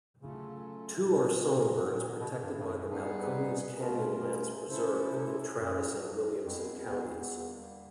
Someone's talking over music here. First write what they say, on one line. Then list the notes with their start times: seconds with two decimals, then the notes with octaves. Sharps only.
Two are songbirds protected by the Balcones Canyonlands Preserve in Travis and Williamson Counties.
0.20 C#3 F#3 A3 C#4 F4 A4
1.10 B2 G#3 C#4 F#4 A#4
1.55 A#2
1.75 G2
1.83 G#2
1.91 A2
1.99 A#2 D#3 G#3 B3
2.21 B2
2.43 G2
2.60 G2
2.66 F#2
2.78 F#2
2.88 G2 G3 B3 D#4 G#4 B4
3.77 B2 A3 C#4 F4 A#4
4.66 C#3 A3 C#4 E4 A4 C5
5.11 C3
5.55 F#2 F#3 A3 D4 F#4
6.45 F2 G#3 B3 E4 G#4
6.89 E2
7.15 E2
7.33 D3 G3 A#3